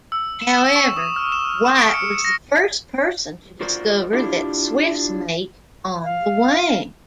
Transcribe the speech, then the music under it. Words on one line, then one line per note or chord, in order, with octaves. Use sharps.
However, White was the first person to discover that swifts mate on the wing.
E6
E7
E7
C#6
D#6
F6
E7
E7
D7
C#7
A#6
F4 F#4 A#4 C5 D5
D4 E4 F4 G4
F5